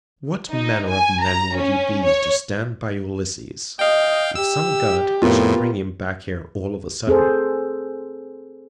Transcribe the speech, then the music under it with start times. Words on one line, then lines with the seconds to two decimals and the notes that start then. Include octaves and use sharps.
What manner of men would you be to stand by Ulysses, if some god should bring him back here all of a sudden?
0.53 D#4
0.88 G#5
1.23 A#5
1.56 C#4
2.05 C#5
3.79 D#5 F5 G5
4.36 G4 E6
5.22 F2 A2 B3 F4 A#4
7.07 C4 G#4 A4 C5